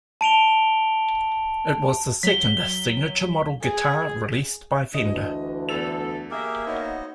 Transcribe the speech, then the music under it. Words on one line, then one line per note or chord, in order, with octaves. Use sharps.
It was the second signature model guitar released by Fender.
A5 D7 F7 G7
F#3 B6 G7
G#4
D2 E3 D4 D#5
E2 A4 F7
A#3 G4 G#4 A#4 E5
B3 D#4 F#4 C5 C#5 D#5